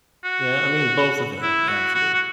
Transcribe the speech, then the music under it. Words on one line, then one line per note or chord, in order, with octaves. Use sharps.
Yeah, I mean both of them actually.
F#4
E4
F#4
F#4
F#4